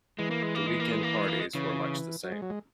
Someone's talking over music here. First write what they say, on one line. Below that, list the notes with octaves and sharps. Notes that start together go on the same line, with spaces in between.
The week-end parties were much the same.
E3 G#3
A#3
G#3
A#3
G#3
A#3
G#3
A#3
G#3
A#3
G#3
C#3 E3
F#3
G#3
F#3
G#3